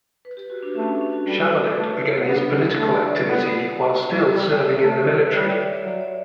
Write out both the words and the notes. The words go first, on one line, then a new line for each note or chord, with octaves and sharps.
Chavalit began his political activity while still serving in the military.
B4
G4
F#4
D4
A3 C#4
D4
D4
F#4
G3 A4
B4
A4
B4
A4
A3 B4
C#5
C#5
G4
B3 D4
A4
B4
A3 C#5
D5
B3
G3 E5
E5
A3 C#5
A4
B4
B4
G3 C#5
E5
D5
D5
E5
F#3 D5
C#5